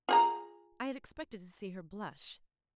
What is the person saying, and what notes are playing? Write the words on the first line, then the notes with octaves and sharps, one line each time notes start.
I had expected to see her blush.
F4 G#4 A#5